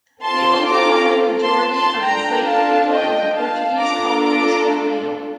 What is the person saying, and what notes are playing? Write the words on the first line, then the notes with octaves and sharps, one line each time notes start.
The overwhelming majority of enslaved people in the Portuguese colonies were male.
C4 F4 A4 A5 C6
A#5 D6
A5 C6
A5 C6
D4 F4 A4 G5 A#5
F5 A5
D#5 G5
F5 A5
D4 F4 A4 A#5 D6
A#5 D6